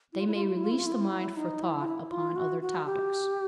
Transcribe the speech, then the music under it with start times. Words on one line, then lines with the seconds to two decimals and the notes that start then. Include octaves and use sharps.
They may release the mind for thought upon other topics.
0.13 E4
0.20 F4
0.27 E4
0.34 F4
0.42 E4
0.49 F4
0.57 E4
0.64 F4
0.71 E4
0.78 F4
0.86 E4
0.93 F4
1.01 E4
1.37 D#4
1.62 E4
1.82 F4
1.87 E4
2.11 F4
2.36 F#4
2.62 F#4
2.86 G4